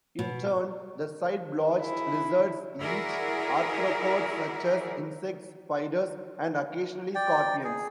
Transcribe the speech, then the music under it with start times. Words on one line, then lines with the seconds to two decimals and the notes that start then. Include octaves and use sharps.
In turn, the side-blotched lizards eat arthropods, such as insects, spiders, and occasionally scorpions.
0.19 B2
1.80 E4 G#4
2.80 E4 F#4 G#4 A#4 D5
7.15 D5 G5
7.64 G#4